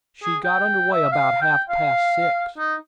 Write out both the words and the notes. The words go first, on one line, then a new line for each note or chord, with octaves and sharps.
She got under way about half-past six.
G#4
G5
E5
F5
G5
F5
D#4